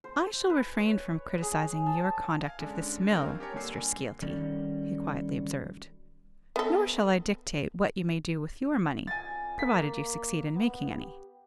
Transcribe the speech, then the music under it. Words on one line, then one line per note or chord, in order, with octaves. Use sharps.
"I shall refrain from criticising your conduct of this mill, Mr. Skeelty," he quietly observed, "nor shall I dictate what you may do with your money--provided you succeed in making any."
C5
B4
C#5
G#4
A5
F5 G#5
D3 G#3 C#4 D4
D3 F#3 C4 D#4 A#4
F5 G#5
G4 A#4 C#5 A5
D3 G3 A#3 G#5 E6 C7
D#3 G3 C#4 F#4 A4 D5
B3 A4
F2 G#5 A6
A#3 B6
B3
G4